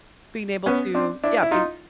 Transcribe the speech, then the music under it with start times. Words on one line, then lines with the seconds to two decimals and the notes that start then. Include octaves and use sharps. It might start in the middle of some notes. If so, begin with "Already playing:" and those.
being able to, yeah, being
0.66 B3 C#4
0.95 C4 D4
1.24 D4 E4
1.43 E4
1.51 D#4 F4